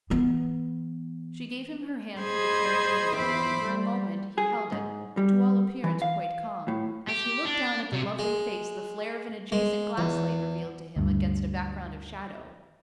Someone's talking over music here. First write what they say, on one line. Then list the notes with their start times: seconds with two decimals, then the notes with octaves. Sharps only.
She gave him her hand through the carriage-window, and, for a moment, he held it, to all appearance quite calm, as he looked down at the lovely face the flare of an adjacent gaslight revealed to him against a background of shadow.
0.10 E3 B3
2.20 G#4 C5 D#5 B5 G#6
3.15 E2 C5 E5 B5 D6
3.66 G3
4.38 G#4
4.72 G#2
5.17 G3
5.84 E3
6.02 F5
6.68 A2
7.09 G4
7.45 D4
7.93 C3
8.19 G#3
9.52 G#3
9.98 E2
10.96 D2 G2